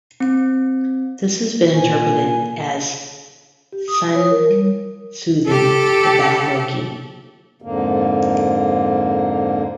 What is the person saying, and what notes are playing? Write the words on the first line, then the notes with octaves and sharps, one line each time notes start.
This has been interpreted as Sigyn soothing the bound Loki.
C4
A#2 G#5
G4
D#6
C#5
A#4
G3
G4 A4
F2 G#2 D3 A#3